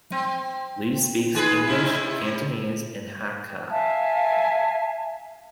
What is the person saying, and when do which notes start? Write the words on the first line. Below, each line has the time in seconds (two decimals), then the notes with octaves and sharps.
Lee speaks English, Cantonese, and Hakka.
0.12 C4
1.34 D#3 G#4 B4
1.67 C3 D#4 E4
3.70 E5 F5 G#5 A5